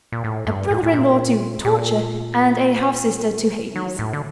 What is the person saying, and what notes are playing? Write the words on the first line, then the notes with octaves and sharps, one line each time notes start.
A brother-in-law to Torture and a half-sister to Hades.
A#2
A2
G2
A2
A2
A#2
A#2
F#3
A2
D3